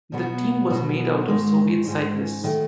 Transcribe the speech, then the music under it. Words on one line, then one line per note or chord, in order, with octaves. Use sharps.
The team was made out of Soviet cyclists.
B2 F#3 B3 F#4
B2 F#3 B3 F#4
G#2 D#3 G#3
G#2 D#3 G#3
D#3 F#3 A3